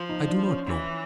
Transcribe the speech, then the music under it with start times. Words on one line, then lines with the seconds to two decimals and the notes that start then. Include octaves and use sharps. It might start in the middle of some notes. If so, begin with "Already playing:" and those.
"I do not know."
Already playing: F3
0.09 D#4
0.28 D4
0.48 C#4
0.66 E3